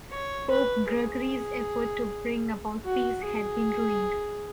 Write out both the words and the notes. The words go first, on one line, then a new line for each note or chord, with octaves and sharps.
Pope Gregory's efforts to bring about peace had been ruined.
C#5
B4
G#4
F#4
G#4